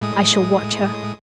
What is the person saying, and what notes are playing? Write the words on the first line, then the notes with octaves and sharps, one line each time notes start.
I shall watch her.
A2 G#3 D#6